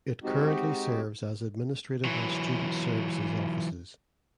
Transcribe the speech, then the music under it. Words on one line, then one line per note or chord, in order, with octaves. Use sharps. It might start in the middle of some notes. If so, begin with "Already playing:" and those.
It currently serves as administrative and student services offices.
G#3 C4 D#4 F#4 G4
E3 F#3